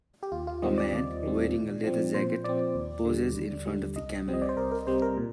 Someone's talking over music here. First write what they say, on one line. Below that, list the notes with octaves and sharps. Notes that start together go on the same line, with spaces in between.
A man wearing a leather jacket poses in front of the camera.
G4
D#2 F4
F4
D#3 G3 C4 D#5
D5
D#2
D#3 G3 C4
A#2
F3 C4
A#2 C5
F3 C4 D5
D#2
D3 G3
D#2
D3 G3
C2 D#5
C3 G3 C4
D#5
D5
C5
C2 A#4
A#4
C3 G3 C4 C5
A#4
A#2